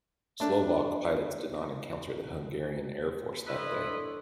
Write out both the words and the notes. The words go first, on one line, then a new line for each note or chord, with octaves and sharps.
Slovak pilots did not encounter the Hungarian Air Force that day.
A3 D4
D4 E4 A4 B4 C5 D#5
C#5